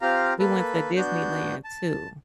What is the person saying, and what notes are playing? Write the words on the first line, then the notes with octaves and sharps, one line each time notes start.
we went to Disneyland too
C4 F4 G4 F5 A#5
A#3 A4 B4
B3 D4 F#4 G6
A5